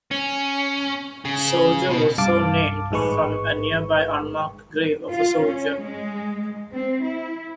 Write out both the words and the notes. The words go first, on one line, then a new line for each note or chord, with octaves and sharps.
Soldier was so named from a nearby unmarked grave of a soldier.
C#4
C#3
B2
C2 G2 F5 A5 D6
A1 G#2 G#3 B4 C#6
F4
C#4
G#3
C4
E4